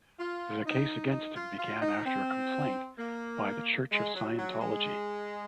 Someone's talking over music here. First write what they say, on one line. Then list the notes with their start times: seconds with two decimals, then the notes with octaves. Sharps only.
The case against him began after a complaint by the Church of Scientology.
0.19 F4
0.66 D#4
1.12 D#4
1.35 F4
1.59 F4
1.81 D#4
2.06 C4
2.99 A#3
3.92 G#3
4.15 F#3
4.38 F#3
4.61 G#3